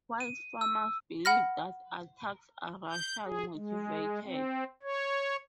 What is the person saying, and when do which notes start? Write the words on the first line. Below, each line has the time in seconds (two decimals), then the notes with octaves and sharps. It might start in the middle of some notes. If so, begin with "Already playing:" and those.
White farmers believe that attacks are racially motivated.
0.20 D#7
0.61 E6
1.25 F#5 B5 F6 A#6
2.90 G6
3.24 G#4
3.55 G#3
4.25 C4
4.83 C#5